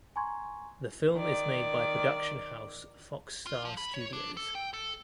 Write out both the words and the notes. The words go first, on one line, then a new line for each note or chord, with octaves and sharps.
The film is made by production house Fox Star Studios.
G#5 A#5 C6 C#6 G#6
D#3 D5
F4
F3
B5
C#5
D4
A4
G5
A4